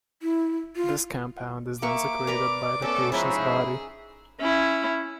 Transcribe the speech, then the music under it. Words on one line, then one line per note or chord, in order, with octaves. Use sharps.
This compound is then secreted by the patient's body.
E4
F4
A#3 E5 C#6 D6
A#4 B4 D5 A#5
A3 B3 C#4 A4
G#2 F3 C#4 D#4 E4 G#4 E5
C#4 E4